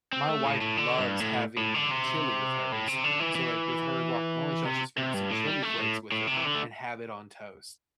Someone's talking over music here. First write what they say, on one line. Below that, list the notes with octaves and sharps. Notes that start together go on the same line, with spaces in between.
My wife loves having chili with hers. So, like, with her guacamole, she'll actually sprinkle some chili flakes with it and have it on toast.
C4
A3
A2
A2
D3
G2
A2
A2
D3
C3
A2
C3
D3
E3
E3
C3
C3
G2
A2
G3
A3
A2
A2
C3
E3
D3
A3